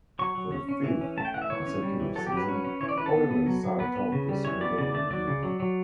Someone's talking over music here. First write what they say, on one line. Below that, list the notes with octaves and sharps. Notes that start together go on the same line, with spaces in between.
For the fifth consecutive season, the Oilers sat atop the Smythe Division.
F#3 C#6
F#3
C#4
C#4
E3
C#4
A3 A5
G5
E3 F#5
E5
E3 C#5
C#4
G3
E3
F#3 A4
G4
F#3
B4
C#4
C#4
E3 C#5
D5
E3 B4
A4
B3
B3
F#3
F#3
B3 B4
B3
C#3
G3
E3 C#5
B3 D5
C#3 D5
A3 D5
F#3 D5
C#3
F#3
F#3